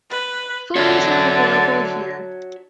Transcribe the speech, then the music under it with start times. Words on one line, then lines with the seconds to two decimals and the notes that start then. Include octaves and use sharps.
Photos are available here.
0.11 B4
0.75 D3 F#4 C#5 E5